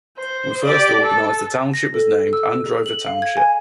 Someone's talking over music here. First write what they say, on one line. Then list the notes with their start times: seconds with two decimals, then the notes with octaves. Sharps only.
When first organized the township was named Androver Township.
0.18 C5
0.64 G4 D5
1.02 A4
1.74 A#6
1.94 A4
2.33 E6
2.66 G#4
2.86 F#7
3.07 F5
3.22 G#6
3.37 G#5